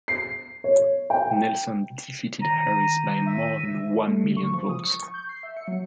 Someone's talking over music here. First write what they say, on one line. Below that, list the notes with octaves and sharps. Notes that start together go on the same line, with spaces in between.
Nelson defeated Harris by more than one million votes.
C7
C#5
G5
D#3 A#5
E5
A3
D3
C#6
F3
D#6
C#6
C#6
G6
C7
E5
C#7
F#3